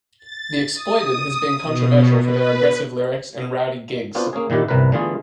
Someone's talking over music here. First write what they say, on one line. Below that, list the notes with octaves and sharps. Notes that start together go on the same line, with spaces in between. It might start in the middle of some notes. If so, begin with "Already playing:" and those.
The Exploited has been controversial for their aggressive lyrics and rowdy gigs.
A6
D#6
B2
B4
B3 C4 D4 F4 F#4 C5
A#3 C#4 G#4
A#2 D#3 E4 G4 F#5
G1 C2 C3 G3 A#4 B4
D3 E3 A3 B3 F4 G#4